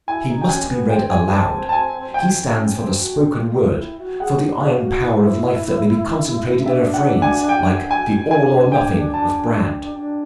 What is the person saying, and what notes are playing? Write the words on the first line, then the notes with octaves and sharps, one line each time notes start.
He must be read aloud. He stands for the spoken word, for the iron power of life that may be concentrated in a phrase like the "All or nothing" of Brand.
E4 G#5
D#4
G5
C#4 G#5
B3
C4 G5
G#5
A5
A5
G#5
G5
C#4
C4
F#4
F4
F4
E4
F#4
G#4 F#5
G4
G#4 F5
G4
F#4
E4
D#4
D4 E5
F#5
G#5
G5
G#5
D4 G#5
G5
A5
D4